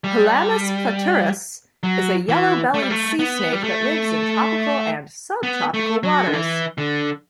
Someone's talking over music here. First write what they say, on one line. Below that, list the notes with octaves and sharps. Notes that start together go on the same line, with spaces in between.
"Pelamis platurus" is a yellow-bellied sea snake that lives in tropical and subtropical waters.
G3
F#3
E3
A3
G3
A3
B3
G3
A3
B3
A3
F#3
D3
E3
D3